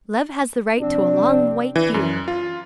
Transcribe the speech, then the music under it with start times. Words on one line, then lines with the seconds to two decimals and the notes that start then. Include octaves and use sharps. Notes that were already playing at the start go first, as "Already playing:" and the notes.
Love has the right to a long white beard.
0.80 C3 F3 C4 D4
1.76 E3
1.94 F#2
2.28 F4